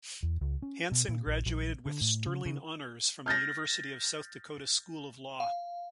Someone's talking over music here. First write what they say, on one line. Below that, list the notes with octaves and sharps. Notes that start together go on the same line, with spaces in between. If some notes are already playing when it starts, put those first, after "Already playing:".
Hansen graduated with "Sterling Honors" from the University of South Dakota School of Law.
E2
C#2
C#4
B2
A#2
A#1
A#1
D3
A2
C#3
C#3
F6 G6 A6 A#6
F5